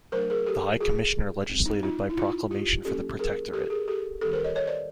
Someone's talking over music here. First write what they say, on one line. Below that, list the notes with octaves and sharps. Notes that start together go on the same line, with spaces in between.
The High Commissioner legislated by proclamation for the protectorate.
F#3 A3 D4 A#4 C5
G#4 A#4
G4 A4
F#4 G#4
G3 C4
D#4
D#4 F4
E4
D#4 F4
F4 G4
F#3 A#3 C#4 G4 A4
G#4 A#4
G4 A4
G#4 A#4
G4 A4
D#3 G3 C4 G4 A4
A#4 C5
C#5 D#5
C#5 D#5
C5 D5